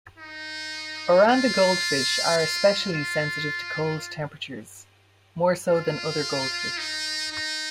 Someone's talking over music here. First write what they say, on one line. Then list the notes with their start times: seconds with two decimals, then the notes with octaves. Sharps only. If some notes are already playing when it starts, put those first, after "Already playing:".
Oranda goldfish are especially sensitive to cold temperatures, more so than other goldfish.
0.17 D#4
1.27 F4
2.37 F4
2.92 F4
5.68 F4
6.78 D#4
7.32 D#4